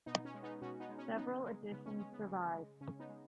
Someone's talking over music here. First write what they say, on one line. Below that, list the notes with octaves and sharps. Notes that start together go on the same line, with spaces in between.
Several editions survived.
B2 B3 D#4
C#4
G#3
B3 D#4
B2 C#4 F#4
B3 D#4
G#3
C#4
C#3 B3 D#4
G#3
C#3 B3
C#4
G#3 C#4
B3
C#3
G#3
C#3 C#4
B3 D#4
G#3